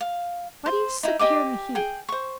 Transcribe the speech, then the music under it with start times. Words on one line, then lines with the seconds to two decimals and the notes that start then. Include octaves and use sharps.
Why do you sit here in the heat?
0.01 F5
0.66 C5
1.03 D#4 E4
1.19 G4 D#5 G#5 D6
1.75 G#4 G5
2.09 C5 C#6